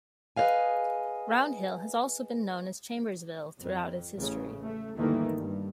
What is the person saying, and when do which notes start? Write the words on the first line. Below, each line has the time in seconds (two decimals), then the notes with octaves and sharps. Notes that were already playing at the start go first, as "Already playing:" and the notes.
Round Hill has also been known as Chambersville throughout its history.
0.36 G#4 B4 C#5 D#5 F5 G#5
3.60 F2
4.15 A1 C#3
4.65 A3
4.97 G1 D2 D#3 E3 A3 A#3
5.36 G2